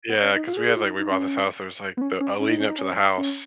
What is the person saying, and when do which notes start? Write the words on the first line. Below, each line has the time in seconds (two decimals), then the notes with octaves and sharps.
yeah, 'cause we had, like, we bought this house. It was, like, the, uh, leading up to the house,
0.09 B3
0.22 C#4
0.36 D#4
0.47 F4
0.53 F#4
0.57 G#4
0.67 G#4
0.76 F4
0.86 D#4
0.99 D#4
1.11 C#4
1.97 B3
2.01 C#4
2.20 C#4
2.40 C#4
2.49 D#4
2.60 C#4
2.69 D#4
2.78 C#4
3.18 C#4